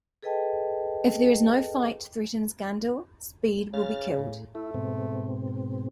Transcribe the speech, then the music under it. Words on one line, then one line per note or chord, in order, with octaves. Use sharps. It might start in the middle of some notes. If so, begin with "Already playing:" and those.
If there is no fight, threatens Gandil, Speed will be killed.
G#4 A4 B4 D#5 G5 A5
C#3 F6 A6
A2
A3 E4
G#2 B2 C4